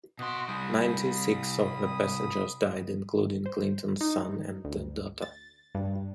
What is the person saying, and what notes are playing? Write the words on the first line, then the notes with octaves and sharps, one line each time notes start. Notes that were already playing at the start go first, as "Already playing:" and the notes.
Ninety-six of the passengers died, including Clinton's son and a daughter.
B2 F#4 D#5 C6
C3 G3 B5 D#6
C5
D#4
D2
A6
G2